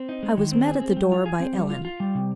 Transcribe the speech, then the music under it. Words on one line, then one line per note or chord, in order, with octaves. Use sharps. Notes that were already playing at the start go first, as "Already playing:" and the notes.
I was met at the door by Ellen.
Already playing: C4
D#4
G#3
D#3
C4
G#4
C4
G3
F4
G#4
C4
G3
F4
F4
G3
C3